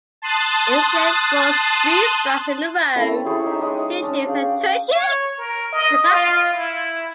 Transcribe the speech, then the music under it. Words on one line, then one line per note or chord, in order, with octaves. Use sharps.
If a player throws three Strikes in a row, he achieves a “Turkey”.
A5 C6 D#6 F#6 A6 D#7
C4 C#4 E4 A4
E4 G4 G#4 C#5
D#4 G4 E5
G#3 C#5 D#5
C#4 D4
G#4 F5 G5
C#5
A#4
D#5
F4
E4